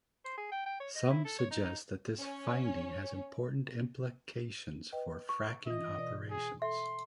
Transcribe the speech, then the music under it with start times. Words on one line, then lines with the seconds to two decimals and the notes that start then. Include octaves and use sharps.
Some suggest that this finding has important implications for fracking operations.
0.24 C5
0.37 G#4
0.51 G5
0.66 G5
0.80 C#5
0.95 D#5
1.10 E4
1.25 A4
1.39 C#5
1.51 D#4
1.64 D#4
2.18 C#4 C#5
4.93 B4 D#5 G5
5.29 C#6
5.67 E3 F4 D#5
5.97 B2 D5
6.30 G#4
6.62 A4 E5 C6